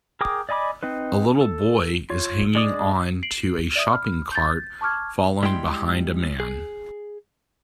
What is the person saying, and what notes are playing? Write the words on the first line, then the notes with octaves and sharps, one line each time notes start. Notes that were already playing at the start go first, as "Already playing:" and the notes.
A little boy is hanging on to a shopping cart following behind a man.
G#4 A#4 G5 D6 D#6
D5 D#5 G#5 B5 D6
C4 D#4 B4
A4
F4 C#5
G#3 D4 D5 D6 D#6
C7 D7 F#7
D5 E5 D#6
B5 F6
G6 A6
A5 C#6 D6 F6 G#6
G3 G#3 E4 G5 C6
G#4